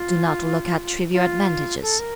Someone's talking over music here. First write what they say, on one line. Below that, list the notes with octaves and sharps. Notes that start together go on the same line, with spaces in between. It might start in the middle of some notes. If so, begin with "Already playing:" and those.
Do not look at trivial advantages.
Already playing: F4
F4
A4
A#4